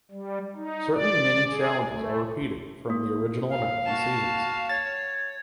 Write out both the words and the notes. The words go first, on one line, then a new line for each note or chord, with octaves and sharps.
Certain mini challenges are repeated from the original American seasons.
G3
D#4
D5
G#4
A3
A#3
F5
F#4 A5
C#5 A6